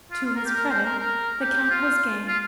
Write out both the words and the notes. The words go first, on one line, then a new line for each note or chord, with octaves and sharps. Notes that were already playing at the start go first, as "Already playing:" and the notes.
To his credit, the count was game.
F4
F4
A#4
G4
A#4
C5
A#4
A#4
G4
G4
F4
F4